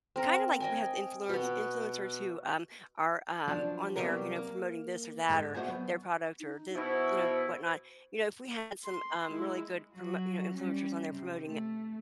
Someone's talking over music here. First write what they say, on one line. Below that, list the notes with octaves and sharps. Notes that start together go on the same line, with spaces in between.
kind of like we have the influence influencers who, um, are, um, on there, you know, promoting this or that, or their product, or the you know, whatnot, you know, if we had some, um, really good promo you know, influencers on there promoting
C4 A#4
D#5 G5 G#5
B2 B3
F3 F#3 D4
C3 F#3 G3 B3 G4 A#4
A#3
G#2 G#3
A3 F#4 G#4 C5 F#5 G#5
F#3 B3
D#4
B2 E4 C5
C6
G#3 E4
F#3 F#4
G3 C#4
C3
A3